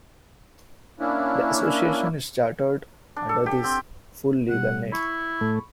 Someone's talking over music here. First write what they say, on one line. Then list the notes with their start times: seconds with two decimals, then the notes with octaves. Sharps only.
The association is chartered under this full legal name.
1.00 A#3 C#4 D4 E4
3.16 D4
3.29 A4
3.46 G4
3.64 C4
4.49 B2 G3 F#5
4.92 E4 B5 C#6
5.41 A2 A3